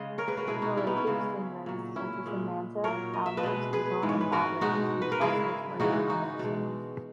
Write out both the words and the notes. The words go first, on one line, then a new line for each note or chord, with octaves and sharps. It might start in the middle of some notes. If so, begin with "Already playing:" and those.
Pelagic stingrays, such as the manta, cownose, eagle and bat rays use oscillatory locomotion.
Already playing: C#3 G#3 D#5
A#4 C#5
G#4 B4
F#4 A#4
B2 G#3 E4 G#4
D#4 F#4
C#4 E4
B3 D#4
C#4 E4
C#3 G#3 C#4 E4
A#2 F#3
C#4 E4
A#2 G#3
A#2 F#3 A#4 C#5
D#5
E5
B4 D#5
B2 G#3
G#4 B4
G#2 E3 G#3
C#5
B4
F#4 A#4
B2 G#3 D#4 F#4
B4
A#4
C#3 G#3 E4 G#4
C#3 E3 G#3 D#4 F#4
D#4 F#4
B2
G#3